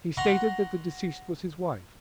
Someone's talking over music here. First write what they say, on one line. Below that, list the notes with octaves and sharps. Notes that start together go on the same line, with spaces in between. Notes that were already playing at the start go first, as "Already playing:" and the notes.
He stated that the deceased was his wife.
F#5 A#5 C6 C#6